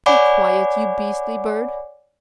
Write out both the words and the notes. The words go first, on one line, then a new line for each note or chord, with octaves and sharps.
"Be quiet, you beastly bird!"
C#5 D5 F#5 G#5 B5 D6